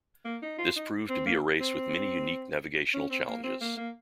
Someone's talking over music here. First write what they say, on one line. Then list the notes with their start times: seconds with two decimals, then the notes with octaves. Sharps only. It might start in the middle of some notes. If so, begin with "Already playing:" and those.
This proved to be a race with many unique navigational challenges.
0.25 A#3
0.42 D#4
0.59 F4
0.76 D#4
1.09 C4
1.26 A#3
1.60 C4
2.94 C#4
3.10 C4
3.28 A#3
3.44 C4
3.61 A#3
3.77 A#3